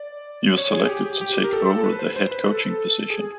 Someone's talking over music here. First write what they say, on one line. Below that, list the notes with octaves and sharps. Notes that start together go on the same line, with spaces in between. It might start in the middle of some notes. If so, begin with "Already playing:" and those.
He was selected to take over the head coaching position.
Already playing: D5
C#5
G#4
G4
G4
G4
A#4
A4
B4
C5
C5
B4
A4
G#4